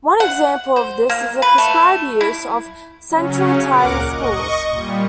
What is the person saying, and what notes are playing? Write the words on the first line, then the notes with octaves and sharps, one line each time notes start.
One example of this is the prescribed use of Central Thai in schools.
F#5
C5
A#3
B4
A3
E4
C#3 F#3 C#4
A#2 A#4 F#5 D6
D#5 C#6
A#2 G3